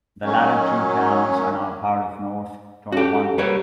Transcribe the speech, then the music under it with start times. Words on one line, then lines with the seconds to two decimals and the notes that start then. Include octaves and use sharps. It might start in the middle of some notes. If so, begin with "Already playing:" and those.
The latter two towns are now part of North Tonawanda.
0.24 D#3 F#3 C#4
2.92 C#4 F#4 G4 A4
3.38 G3 G4 A#4 B4 C#5